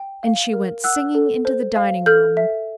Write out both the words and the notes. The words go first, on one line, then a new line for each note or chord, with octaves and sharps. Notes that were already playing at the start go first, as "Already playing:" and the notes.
And she went singing into the dining-room.
Already playing: G5
F5
A#4
F#5 E6 F#6
A4
C5
F5
A4 F6 G6
E5